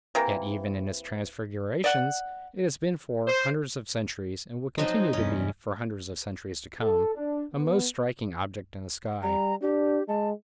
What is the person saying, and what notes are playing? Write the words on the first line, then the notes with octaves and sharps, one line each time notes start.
Yet even in its transfigurations it has been for hundreds of centuries, and will continue to be for hundreds of centuries to come, a most striking object in the sky.
C3 E3 A#3
D5 F#5
C5
F3 F#3 C4 D#4
E2 G2 C3 C#4 D#5
A4
D4
B3
G3 A#5
D4 G4
G#3 A5